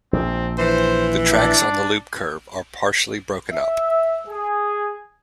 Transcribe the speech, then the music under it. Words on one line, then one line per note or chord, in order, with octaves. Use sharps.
The tracks on the loop curve are partially broken up.
A#1 C4
E3 C5
D4
E5
G#4